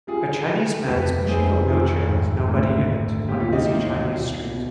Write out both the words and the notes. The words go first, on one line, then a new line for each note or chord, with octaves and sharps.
A Chinese man is pushing a wheelchair with nobody in it on a busy Chinese street.
G3 F4 G#4
G3
C5
F1 G4 B4
F1 G#4 C5
D#3 F4 G#4
G#1
D2
D2
D#2 G4
F4
D#4 G4
D#2
C2
B2